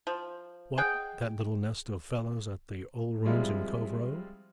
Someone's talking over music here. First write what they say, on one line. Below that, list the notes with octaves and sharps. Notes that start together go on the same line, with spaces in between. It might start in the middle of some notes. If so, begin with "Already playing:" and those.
'What, that little nest of fellows at the "Old Rooms" in Cove Row?
F3
G#4 D#5 F#5 G5
F3 G3 G#3 C4 E4 F4